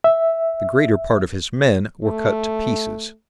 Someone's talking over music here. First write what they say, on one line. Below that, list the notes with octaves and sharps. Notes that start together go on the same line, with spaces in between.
The greater part of his men were cut to pieces.
E5
A3